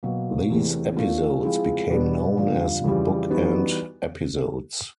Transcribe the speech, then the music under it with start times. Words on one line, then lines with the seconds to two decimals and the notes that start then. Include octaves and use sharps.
These episodes became known as bookend episodes.
0.03 B2 F#3 A#3
0.50 E2 C3 E3 A3
0.96 F3 A3 D4 F4 A#4
1.43 F3 G#3 C4 E4 G#4
1.89 B2 G3 B3 D4
2.37 G2 D3 F3 A#3
2.84 F2 C#3 E3 G3
3.31 E3 G3 B3 D#4 F#4